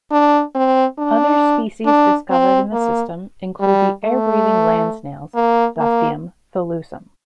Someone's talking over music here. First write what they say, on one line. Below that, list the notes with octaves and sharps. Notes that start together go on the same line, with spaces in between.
Other species discovered in the system, include the air-breathing land snails "Zospeum tholussum".
D4
C4
D4
D4
C4
A#3
G3
A3
A#3
A#3